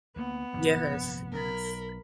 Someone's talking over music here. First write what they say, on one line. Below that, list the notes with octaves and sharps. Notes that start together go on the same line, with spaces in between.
Yes, yes.
D2 A#3 B3
F1 A#1 G2
B1 A#4 B5